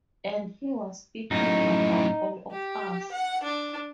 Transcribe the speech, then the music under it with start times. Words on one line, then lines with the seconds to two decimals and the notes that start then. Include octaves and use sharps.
And he was speaking about all of us.
1.31 F#2 A2 D#4
2.51 G4
3.12 F#5
3.43 D4